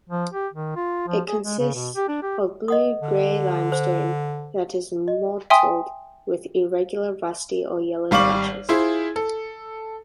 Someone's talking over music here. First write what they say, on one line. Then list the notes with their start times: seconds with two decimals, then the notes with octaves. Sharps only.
It consists of blue-gray limestone that is mottled with irregular rusty or yellow patches.
0.09 F3
0.33 G4
0.54 D#3
0.76 F4
1.08 F3
1.28 G#4
1.44 G#3
1.59 C#3
1.75 B2
1.95 G4
2.08 D4
2.22 G4
2.68 D#5 F#5 D#6
3.03 D3
3.72 C5
5.08 D#5
5.50 E5 G5 G#5 C6 D#6
8.11 G#1 G3 F5 C#6 D6 F#7
8.69 E4 F4 G#4 C5
9.16 A4